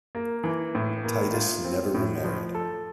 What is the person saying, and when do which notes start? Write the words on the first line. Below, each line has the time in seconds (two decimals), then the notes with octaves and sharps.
Titus never remarried.
0.15 A#3
0.44 E3
0.75 A2
1.04 A#3
1.34 F4
1.65 C4
1.95 A2
2.24 F3
2.55 A4